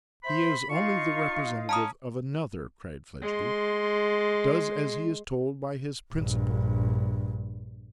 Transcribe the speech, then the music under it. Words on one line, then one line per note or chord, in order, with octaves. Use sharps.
'He is only the representative of another!' cried Fledgeby. 'Does as he is told by his principal!
C5 E5 B5
D#4 F4 F5 C#6
C#4 A5 A#5 D#6
G#3 C6
A#1 G2